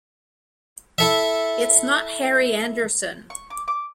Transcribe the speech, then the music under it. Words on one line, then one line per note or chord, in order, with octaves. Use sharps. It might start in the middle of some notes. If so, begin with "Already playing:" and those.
It's not Harry Anderson.
E4 A4 E5
C#6
D6
D6